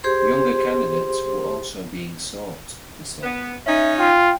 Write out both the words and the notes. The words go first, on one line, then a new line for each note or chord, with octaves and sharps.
Younger candidates were also being sought, he said.
G4 G#4 C5 C6
B3
C#4 D#4 E5
F4 G5